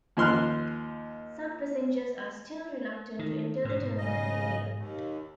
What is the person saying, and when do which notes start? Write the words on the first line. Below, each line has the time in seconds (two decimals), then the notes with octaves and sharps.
Some passengers are still reluctant to enter the terminal area.
0.17 D#2 F3 C6 F6 F#6
3.19 D#3
3.65 G#2 B2
3.98 C#3 D#5
4.77 D#2